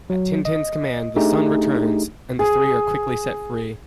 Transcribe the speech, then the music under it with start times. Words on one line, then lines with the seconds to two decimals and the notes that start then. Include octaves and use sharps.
At Tintin's command, the Sun returns, and the three are quickly set free.
0.10 F#3
0.45 D#5
1.16 A3 D4 D#4 G4 G#4
2.39 G#4